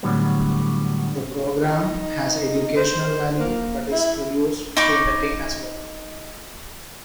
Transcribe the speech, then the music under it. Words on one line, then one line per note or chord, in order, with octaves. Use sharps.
The program has educational value, but is produced to entertain as well.
A2 D3 F#3 G3 B3
D#4
C5
A#3
E4
D#4 B5 C#6 D6